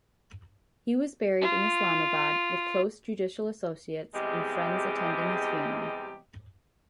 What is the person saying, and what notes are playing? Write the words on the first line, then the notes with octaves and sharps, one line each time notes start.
He was buried in Islamabad with close judicial associates and friends attending his funeral.
F4
E2 C3 G3 G#3 G4 D#5